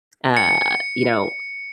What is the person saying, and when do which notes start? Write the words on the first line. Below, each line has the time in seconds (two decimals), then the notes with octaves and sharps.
uh, you know,
0.37 C#7